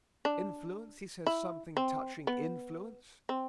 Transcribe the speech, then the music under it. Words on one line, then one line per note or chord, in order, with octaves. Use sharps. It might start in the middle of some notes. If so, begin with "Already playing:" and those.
"Influence; he says something touching influence?"
D4
E4
C4
B3
C4